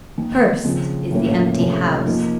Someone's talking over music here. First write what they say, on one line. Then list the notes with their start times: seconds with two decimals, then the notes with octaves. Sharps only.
"Cursed is the empty house!"
0.17 D#3 A#3 D#4
0.64 C#3 F3 C4
1.11 A2 F#3 A#3 C#4
1.59 C3 F3 A3 C#4
2.06 F3 A#3 D#4